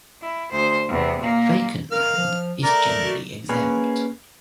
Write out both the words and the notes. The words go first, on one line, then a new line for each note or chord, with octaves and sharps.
Vacant land is generally exempt.
E4
D2 C5
E2 C3
A#2 A#3
A#4 F5 F6
F3
A3 A#4 D5 A#5
F#4
A#3 C#4 G#4 B4